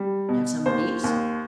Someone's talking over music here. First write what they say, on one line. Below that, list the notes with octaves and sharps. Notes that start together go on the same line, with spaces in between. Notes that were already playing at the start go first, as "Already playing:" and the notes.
"Have some of these?"
Already playing: G3
B2
D#2 C5
D#2